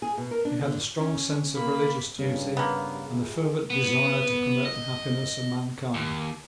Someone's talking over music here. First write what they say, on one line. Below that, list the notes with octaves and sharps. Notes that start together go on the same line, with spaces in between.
He had a strong sense of religious duty and a fervent desire to promote the happiness of mankind.
G#4
B2
A#4
D4
D3
C#4
A#3 B5
G2 C#3
A#3 B3
C3 F4 G#4
B3
D#5
D#2